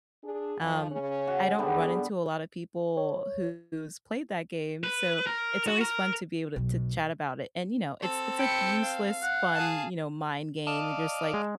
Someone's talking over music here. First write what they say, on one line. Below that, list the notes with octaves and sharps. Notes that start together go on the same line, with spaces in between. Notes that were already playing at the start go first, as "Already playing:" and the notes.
um, I don't run into a lotta people who's played that game, so it's always fun to be able to to chat about it. And, you know, it's it's like useless fun, you know, mind game. You're just like
D4 G#4
F2 F3
C#3 C#4
F#4
D3 G3 B3 G#4
C#5
B4
A#4
F#4
A#4
B1
C4 A4
G5 B5 C#7
F5
F#5
G#4 A5
D5 D#5 F5 A5
G#3